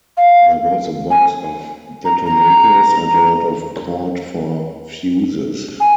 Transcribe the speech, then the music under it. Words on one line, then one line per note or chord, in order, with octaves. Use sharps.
There was a box of detonators, and a lot of cord for fuses.
F5
G#5
A#5
A#5
G#5